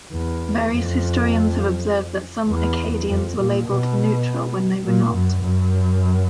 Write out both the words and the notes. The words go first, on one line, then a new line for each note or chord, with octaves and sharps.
Various historians have observed that some Acadians were labelled "neutral" when they were not.
E2
F2
E2
F2
A#2
B2
A#2
F#2
F#2